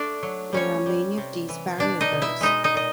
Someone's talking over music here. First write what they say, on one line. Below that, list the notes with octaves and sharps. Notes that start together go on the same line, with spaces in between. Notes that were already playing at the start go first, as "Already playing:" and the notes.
There are many of these variables.
Already playing: A3 D4 D5
F#3
G3 C#4 C#5
G3
C3
E3
B2 D4 D5
D#4 D#5
B2
E4 E5
G#3 D#4 D#5
D#4 D#5
A#2 D#5